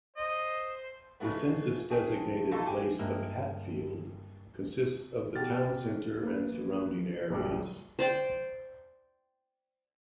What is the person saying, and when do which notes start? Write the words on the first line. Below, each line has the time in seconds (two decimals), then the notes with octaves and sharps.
The census-designated place of Hatfield consists of the town center and surrounding areas.
0.17 C5 D#5
1.20 C#3 F3 G#3 A3 B3
1.90 A3 C4 G#4
2.51 B2 A3 D#4 F4 A4
2.65 A2 G4 G#5
2.99 G2 G#3 A#3 E5
5.35 B2 G4 F#5 F6 A6
6.23 A#3 B4
7.30 A#1 F#2 G3 D6
7.99 C5 D5 G5